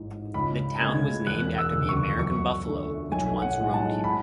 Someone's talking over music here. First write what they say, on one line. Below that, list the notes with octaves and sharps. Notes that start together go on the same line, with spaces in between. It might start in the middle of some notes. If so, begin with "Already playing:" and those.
The town was named after the American buffalo which once roamed here.
Already playing: A1 G#2 E3
C#2 B5
C#3 G#3 G#6
E1 F#6
E6
D2 C#3
C#6
F#2 C#6
D3 A3
B1 G#5
F#5
A2 G#3
A5
B5